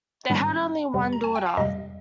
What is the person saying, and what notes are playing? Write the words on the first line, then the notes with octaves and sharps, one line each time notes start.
They had only one daughter.
G#2 D#3 G3 C#4
F2 C3 G3
A#5
G#5
G5
F5
F2 C3 G3 D#5